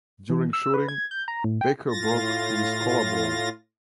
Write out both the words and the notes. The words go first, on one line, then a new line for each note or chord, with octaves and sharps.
During shooting, Baker broke his collarbone.
E3
E6
B4
G#6
G6
A#5
A2
G5
A2 F4 A6 A#6